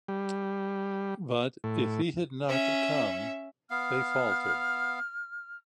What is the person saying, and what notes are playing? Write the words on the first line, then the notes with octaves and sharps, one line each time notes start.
But if he had not come they faltered.
G3
A2
C#4 E5
B3 F5 F6